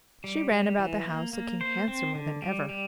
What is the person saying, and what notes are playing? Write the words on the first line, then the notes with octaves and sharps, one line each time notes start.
She ran about the house looking handsomer than ever.
G3
G3
E3
A#3
A#3
C5
C4
D3
G3
G3